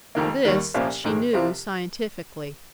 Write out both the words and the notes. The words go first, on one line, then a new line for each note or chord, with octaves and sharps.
This she knew scientifically.
F1 F2 D#3 A#3
D#2 D#3 G3
C2 A#2 F3 A#3 C#4
A#1 G#2 D#3 G#3
C2 C3 F3 C4 F4